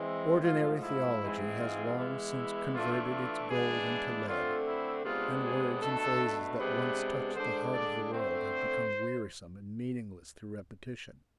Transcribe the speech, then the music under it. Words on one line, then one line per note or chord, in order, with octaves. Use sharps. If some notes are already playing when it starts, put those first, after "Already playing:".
Ordinary theology has long since converted its gold into lead, and words and phrases that once touched the heart of the world have become wearisome and meaningless through repetition.
Already playing: E3 G#3 C4
G#2 F3 A3 F4
E4
G#2 E3 G#3 C4
F4
E3 G#3 B3
E4
E3 A3 D4 F4
F4
E3 G#3 B3 D4 G#4
D3 A3 C4 F4
E4
C3 G#3 B3 D4 F4
G#4
B2 A3 D4 A4
C3 G#3 B3 D4 B4
D3 G#3 D4 C5
D5
D3 A3 C4 C5